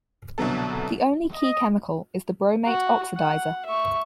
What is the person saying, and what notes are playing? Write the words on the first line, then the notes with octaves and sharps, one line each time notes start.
The only key chemical is the bromate oxidizer.
C2 B2 D3 F#3 B3 A4
D#5
F#4 F#5
F#5
E5 C#6